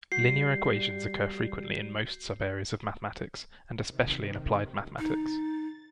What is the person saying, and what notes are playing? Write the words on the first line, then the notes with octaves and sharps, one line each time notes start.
Linear equations occur frequently in most subareas of mathematics and especially in applied mathematics.
G3 F#4 G6 C7
C3 D#3
D#4 A6